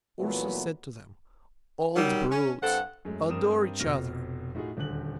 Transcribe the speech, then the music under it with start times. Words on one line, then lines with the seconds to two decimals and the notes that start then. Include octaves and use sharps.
Ursus said to them,--"Old brutes, adore each other!"
0.20 A#2 E3 F#3 A3 B3
1.96 D#3 F#3 G3
2.30 C#4
2.62 G2 C4 A4 F#5
3.05 F#2 G#3 A3
3.29 G2 C4 A#4 D#6 E7
3.80 F1 F2 B2 F6 A#6
4.55 A2 D#4 F4 F#4 G#4
4.77 D#1 D2 D3 F#6 F#7